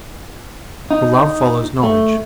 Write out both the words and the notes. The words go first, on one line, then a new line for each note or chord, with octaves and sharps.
For love follows knowledge.
D#4
A3